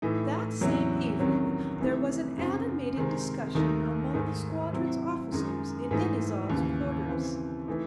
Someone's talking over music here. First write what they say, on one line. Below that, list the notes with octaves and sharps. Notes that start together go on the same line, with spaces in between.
That same evening there was an animated discussion among the squadron's officers in Denisov's quarters.
A2 E3 A3 D#4
E2 C3 F#3 C#4 E4
C2 C3 D#3 F#3 C#4
C2 C3 E3 A3 D#4
F#2 C#3 F#3 C4 D#4
C3 D#3 G#3 C4
D#2 D#3 A3 D#4
G#2 D#3 A3 D#4
C3 F#3 C4 E4
F#2 D#3 G#3 D#4
G#2 E3 A3 D#4
D#2 C#3 E3
C#3 E3 C4
E3 A3 D#4